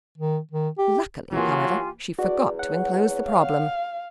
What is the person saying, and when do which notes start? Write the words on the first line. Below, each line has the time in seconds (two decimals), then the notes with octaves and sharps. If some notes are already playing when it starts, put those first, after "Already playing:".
Luckily, however, she forgot to enclose the problem.
0.18 D#3
0.51 D#3
0.78 G4
1.33 E3 F#3 A#3 F4 G4 G#5
2.19 E2 F#4 D5
2.59 C#5 F#5
3.25 F5